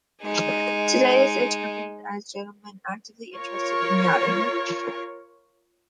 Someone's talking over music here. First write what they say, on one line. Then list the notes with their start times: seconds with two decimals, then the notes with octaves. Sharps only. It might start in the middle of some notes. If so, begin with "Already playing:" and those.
Today this is interpreted as a gentleman "actively interested in yachting".
0.21 G#3 D#4
3.35 F4 A#4 C#5